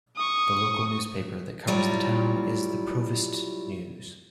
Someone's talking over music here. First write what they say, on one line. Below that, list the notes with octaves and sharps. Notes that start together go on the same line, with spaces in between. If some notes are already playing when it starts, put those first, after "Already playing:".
The local newspaper that covers the town is "The Provost News".
C#6 D#6
F#3 G3 E4 F4